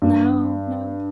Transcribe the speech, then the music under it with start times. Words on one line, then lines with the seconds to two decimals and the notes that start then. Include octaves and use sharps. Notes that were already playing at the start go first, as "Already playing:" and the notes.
No. No.
0.02 G2